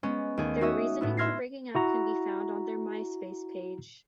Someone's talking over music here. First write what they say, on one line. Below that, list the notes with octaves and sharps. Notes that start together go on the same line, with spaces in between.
Their reasoning for breaking up can be found on their MySpace page.
G#3 B3 C#4
D#2 A3 G#4
D#4 F#4 C#5 E5 D#6
A2 B3 E4
E5 C6 F6 G#6 A#6 C7
E4 F#4 A#5